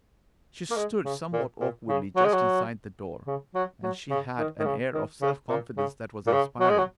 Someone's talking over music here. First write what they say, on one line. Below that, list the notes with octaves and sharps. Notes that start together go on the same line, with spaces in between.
She stood somewhat awkwardly just inside the door, and she had an air of self-confidence that was inspiring.
A#3
G#3
C#3
A#2
A#2
C#3
F#3
G#3
F#3
C#3
F#3
F#3
C#3
D#3
D#3
C#3
D#3
C#3
A#2
C#3
A#2
C#3
F#3
G#3
F#3